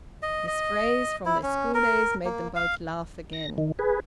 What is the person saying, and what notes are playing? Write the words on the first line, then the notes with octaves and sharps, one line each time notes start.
This phrase from their school-days made them both laugh again.
D#5
D#5
E4
C#4
A#4
A#3
F5
A#6
D#3
G#4 B4